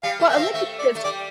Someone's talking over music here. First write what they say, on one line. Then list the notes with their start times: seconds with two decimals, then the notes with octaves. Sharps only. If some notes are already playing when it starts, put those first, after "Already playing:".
Well, I like it because,
0.03 G3 F5
0.19 A3
0.29 A#3 E5
0.36 C4 F5
0.43 E5
0.54 A3 E5
0.79 D5
0.95 A3
1.04 G3 D5